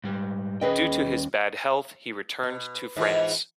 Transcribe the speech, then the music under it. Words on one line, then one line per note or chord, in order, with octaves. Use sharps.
Due to his bad health he returned to France.
G#2 G3
D#2 C#4 G#4 B4 D#5 G5
B2
G#2 E3 F4